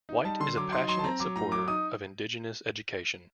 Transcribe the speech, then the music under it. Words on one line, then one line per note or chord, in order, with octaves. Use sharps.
White is a passionate supporter of indigenous education.
D#4
G3 A5
D3 C6
F#3 D6
D#4 C6
F#3 C6
A5
C4 A#5
F#3 D6
A2 A#5
F#3 D6
D#4 D#6